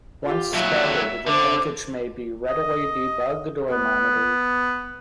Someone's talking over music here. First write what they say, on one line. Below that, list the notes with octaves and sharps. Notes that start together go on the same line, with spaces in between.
Once started, the package may be readily debugged or monitored.
F4 G4
D#2 F#3 E5
D3 C5 D6
D#5
B3